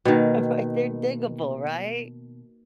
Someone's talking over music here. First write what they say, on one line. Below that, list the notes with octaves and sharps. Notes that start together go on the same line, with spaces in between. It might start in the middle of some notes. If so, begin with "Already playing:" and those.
but they're diggable, right?
B2 D#3 A#3 B4 G5